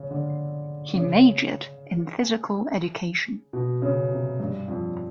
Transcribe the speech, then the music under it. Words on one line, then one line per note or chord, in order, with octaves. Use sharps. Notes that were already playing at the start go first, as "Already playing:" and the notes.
He majored in physical education.
Already playing: C#3
D3
C#3
B2
C#3
C3
G2
F2